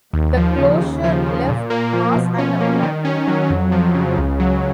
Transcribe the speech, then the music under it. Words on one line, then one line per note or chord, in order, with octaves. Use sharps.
The closure left mass unemployment.
D#2
F3
C#3
D#2
F3
C#3
A#2
A#3
F3
B2
C#4
A#3
D#3
C#4
F#3
F2
F3
C#3
C#2
F#3